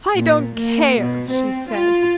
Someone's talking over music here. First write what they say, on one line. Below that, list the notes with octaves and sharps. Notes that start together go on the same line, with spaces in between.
"I don't care," she said.
A#2
A#3
B2
C4
F4